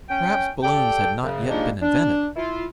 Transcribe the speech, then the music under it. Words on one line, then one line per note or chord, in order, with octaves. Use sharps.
Perhaps balloons had not yet been invented.
C#4 G5
G4 A4 D5 G5
F#2 C#3
F3 G3 G#3 A#3 D4 D#4
D4
E4 F4